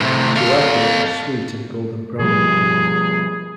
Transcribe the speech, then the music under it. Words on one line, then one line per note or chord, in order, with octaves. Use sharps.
Tuaca is sweet and golden brown in color.
A2 C3
A4 F5
B2 F3 G3 G#4